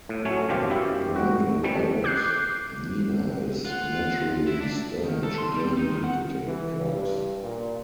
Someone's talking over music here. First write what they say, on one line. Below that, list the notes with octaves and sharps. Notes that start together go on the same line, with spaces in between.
Brendel added, Nena is naturally stoned, she doesn't need to take drugs.
A2
F#3 A3 C#4 C#5
G#1 F#2 B2 F3 F4 G4
F#2 E4 G4
F#4
C3 E3 G3 A3
D6 F#6 G6 C7
F4 F#5
E4
D4
D#3
A4
C6
G3
C4
D#4
D#3
F#5
E3
G2
A#2